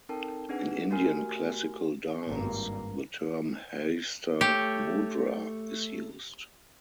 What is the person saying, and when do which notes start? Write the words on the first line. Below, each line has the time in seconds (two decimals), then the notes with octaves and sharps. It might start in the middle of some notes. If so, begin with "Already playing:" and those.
In Indian classical dance, the term "Hasta Mudra" is used.
0.09 C4 D#4 A4 A#4 G5 A5
0.49 C4 D4 D#4 G#4 B4 F#5
0.90 A3 F#4 G4 A#4 G#5 F6
2.29 G#1 G2 A#3
4.41 A3 G4 C#5